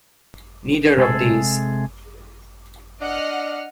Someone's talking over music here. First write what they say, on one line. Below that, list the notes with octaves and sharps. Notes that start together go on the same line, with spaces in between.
Neither of these.
C3 G#3 G#4 A4
D4 D#5 F#5 F6